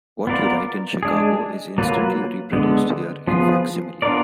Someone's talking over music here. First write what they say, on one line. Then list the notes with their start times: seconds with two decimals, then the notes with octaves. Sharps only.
What you write in Chicago is instantly reproduced here in fac-simile.
0.27 B3 F4 A#4 D5
1.03 G#3 D4 G#4
1.78 F#3 A#3 F4 B4
2.53 D3 G#3 B3
3.27 F3 B3 F4 G#4
4.02 B3 D4 F4 A#4 D5